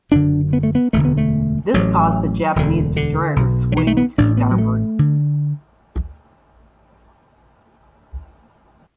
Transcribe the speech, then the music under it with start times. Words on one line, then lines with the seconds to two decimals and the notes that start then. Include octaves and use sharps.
This caused the Japanese destroyer to swing to starboard.
0.11 F#1 F#2 D3 D4
0.53 B3
0.63 A3
0.75 B3
0.93 E1 D2 D3 A3
1.05 B3
1.17 A3
1.74 A1 A2 F#3
2.56 E1 D2 D3
2.96 D3
3.36 B1 B2
3.72 F#3
3.77 E3
3.87 A3
3.97 B3
4.18 A1 A2 D4
4.37 B3
4.51 F#3
4.58 A3
4.99 D3